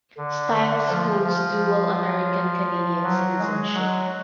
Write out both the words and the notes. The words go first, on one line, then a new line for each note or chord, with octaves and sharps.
Stiles holds dual American-Canadian citizenship.
D3
D3
F3
F3
F#3
G#3
F#3